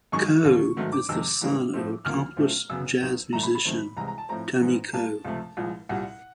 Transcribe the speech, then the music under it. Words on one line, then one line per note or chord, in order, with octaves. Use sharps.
Coe is the son of accomplished jazz musician Tony Coe.
F#2 D#3 G#3 C#6
D#2 D3 F#3
G#2 D#3 F#3 A3
D6
F2 C3 D#3 G#3 E6
G#2 E3 G3 A#3
A2 F3 A3 C4
D2 D3 F3 A#3 F6
A#2 F#3 A3 C4
F#2 C#3 F#3 B3 E6
D#2 D#3 F#3 B3
G2 E3 A3 A#5
B5
B5
F#2 D#3 F#3 A3 C4
C2 C3 E3 G#3 A#5
A#5
A5
A2 F3 A3 C4 A#5
G#2 E3 G3 B3
A#2 G3 A#3 A5
C#2 C3 F3 A3
C2 A#2 F3 G#3
C2 A#2 G3 F#5